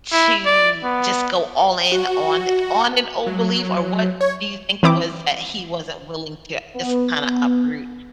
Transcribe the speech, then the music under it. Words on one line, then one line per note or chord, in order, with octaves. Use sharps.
to just go all in on on an old belief or what do you think it was that he wasn't willing to just kinda uproot,
E4
D5
B3
F#4
F#3
C#5
E3 C4 E4 D6
B3